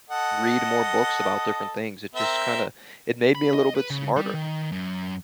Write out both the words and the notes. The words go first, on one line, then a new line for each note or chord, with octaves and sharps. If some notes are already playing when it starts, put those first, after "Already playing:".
read more books about different things, it just kinda it made me a little bit smarter
A4 D#5 F#5
C4 A#4 E5
B5
D#5
B4
C#3
G3
D#3
F#2